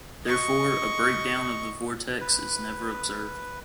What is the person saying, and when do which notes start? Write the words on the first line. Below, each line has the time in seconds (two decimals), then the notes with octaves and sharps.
Therefore a breakdown of the vortex is never observed.
0.25 D#5 C#6
2.21 B4